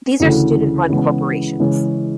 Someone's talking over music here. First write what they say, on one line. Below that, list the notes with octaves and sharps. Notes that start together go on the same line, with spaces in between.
These are student-run corporations.
D2 C#3 E3 A3 E4
C#3 E3 G#3 B3
C#3 E3 G#3 C#4